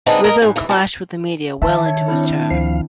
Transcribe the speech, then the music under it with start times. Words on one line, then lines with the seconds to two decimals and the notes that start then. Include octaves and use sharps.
Rizzo clashed with the media well into his term.
0.06 D3 G#3 C4 D4 D#4 B4
0.24 A#4 D#5 A#5
0.42 G#2
0.56 G#2 E3
0.69 F2 G3 A5
1.62 D#3 E5 A5
1.86 C#5
2.08 C4 D4 E4
2.51 D2 F3 F5